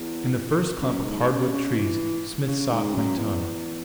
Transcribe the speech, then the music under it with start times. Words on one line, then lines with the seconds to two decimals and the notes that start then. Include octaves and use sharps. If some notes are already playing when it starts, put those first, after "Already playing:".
In the first clump of hard-wood trees Smith saw Quintana.
Already playing: E2
0.82 F#2
1.05 G#2
1.29 C#3
1.53 C#3
1.77 E3
2.47 C#3
2.70 G#2
2.94 F#2
3.17 E2